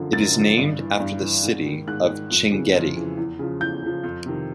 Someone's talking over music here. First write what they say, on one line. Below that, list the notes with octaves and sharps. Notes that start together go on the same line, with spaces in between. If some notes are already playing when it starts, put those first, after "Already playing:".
It is named after the city of Chinguetti.
Already playing: F#2 D3 F3
F#2 A6
D3 F3
G2
E3
G2
E3
G#2
D#3
G#2 F#6
D#3
F2
C#3 E3
F2
C#3 E3
E2
C#3 F3
E2 G6
C#3 F3
F2
C3 D#3